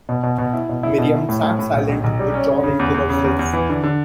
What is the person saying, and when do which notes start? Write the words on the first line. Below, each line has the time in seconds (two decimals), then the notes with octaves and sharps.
Miriam sat silent, withdrawn into herself.
0.09 B2
0.23 B2
0.38 B2
0.53 E4
0.69 B2
0.83 E4
0.98 B2
1.14 E4
1.29 A2
1.43 A2
1.59 A2
1.73 B1
1.89 B1
2.04 B1
2.19 G3
2.34 C#4
2.48 C#3
2.63 C#3
2.79 E2
2.94 E2
3.09 C#3
3.24 E2
3.39 E2
3.53 E3
3.69 D3
3.84 D3